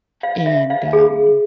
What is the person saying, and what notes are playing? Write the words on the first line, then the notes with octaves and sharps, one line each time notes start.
and um
F5
E5
F5
G#4